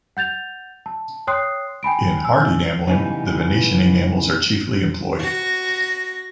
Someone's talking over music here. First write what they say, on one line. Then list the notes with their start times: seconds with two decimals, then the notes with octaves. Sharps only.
In hard enameling, the Venetian enamels are chiefly employed.
0.17 F#5 G6 A6 F7
0.86 A5
1.27 C#5 G5 C6 D#6 F#6 C7
1.83 G5 G#5 B5 D7
2.24 G#5 E6
2.88 C#3 E3 G3 B3 D#4
5.19 F#4 A#6